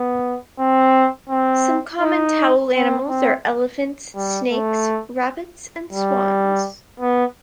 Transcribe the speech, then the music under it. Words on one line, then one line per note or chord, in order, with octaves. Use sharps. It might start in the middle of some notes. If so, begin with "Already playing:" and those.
Some common towel animals are elephants, snakes, rabbits and swans.
Already playing: B3
C4
C4
D#4
C4
C4
G3
A3
G3
B3